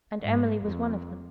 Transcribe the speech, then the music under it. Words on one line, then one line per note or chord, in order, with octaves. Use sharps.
And Emily was one of them.
G#2
F2